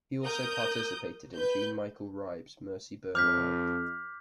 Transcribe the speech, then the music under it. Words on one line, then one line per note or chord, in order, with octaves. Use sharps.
He also participated in Jean-Michel Ribes' "Merci Bernard".
A#4 D#6 G6
B4 G6
F2 D6 F6 G6 B6